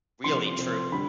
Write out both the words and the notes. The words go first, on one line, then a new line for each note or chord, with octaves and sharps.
Really true.
C3 F3 C4 C6
C3 F3 C4
D3 G3 B5